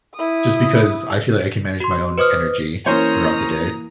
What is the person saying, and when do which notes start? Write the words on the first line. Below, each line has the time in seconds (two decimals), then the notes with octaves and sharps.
just because I feel like I can manage my own energy throughout the day.
0.14 E4 D#6
1.80 F#4 C6
2.18 B4 C5 D#5 D6 D#6 F6
2.86 E3 A#3 C#4 C5 C#5 A#5 D#6